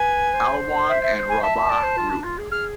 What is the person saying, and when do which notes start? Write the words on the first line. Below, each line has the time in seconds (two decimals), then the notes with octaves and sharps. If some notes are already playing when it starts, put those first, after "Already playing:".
Alwan And Rabaa Group.
Already playing: B4 G#5
0.34 C5
0.89 E5
1.02 E5
1.29 G#5
1.42 E5 A5
1.56 E5
1.70 D5
1.83 C5
1.97 F4
2.10 D4
2.24 F4
2.38 G#4
2.51 G#4 F6